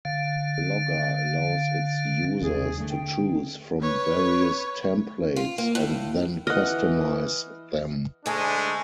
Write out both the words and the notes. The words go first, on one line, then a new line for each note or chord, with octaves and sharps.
Blogger allows its users to choose from various templates and then customize them.
D3 F5
D#2 C3 G3 G#4
D3 A3
G5
B4 C#5
F4
A#3
A2
E3 D#5 F#5 F6
D2 G#3 A3 D4 G#5